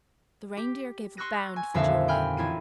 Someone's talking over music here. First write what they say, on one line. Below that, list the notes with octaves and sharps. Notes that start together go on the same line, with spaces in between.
The Reindeer gave a bound for joy.
G4
C6 C#6 E6 F#6 A#6 D#7
G#5
D#1 F2 D3 E5 F5 E6
G5 G#5 B5 F6
A1 E4 F4 D#7